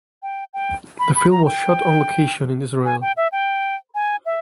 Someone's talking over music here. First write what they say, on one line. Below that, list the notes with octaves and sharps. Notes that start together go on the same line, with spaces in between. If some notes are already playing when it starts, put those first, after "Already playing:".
The film was shot on location in Israel.
G5
G5
B5
B5
A#5
G5
G#5
G5
E5
G5
G#5
E5